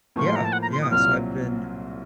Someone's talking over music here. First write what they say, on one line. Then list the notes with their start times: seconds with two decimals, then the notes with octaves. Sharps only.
Yeah, yeah, so I've been
0.16 A2 F3 A#3 F4 C#6
0.26 C6
0.36 A#5
0.45 A5
0.53 F#5
0.62 A#5
0.73 C6
0.82 D#6
0.91 C2 A#2 F#3 C4 F4 F6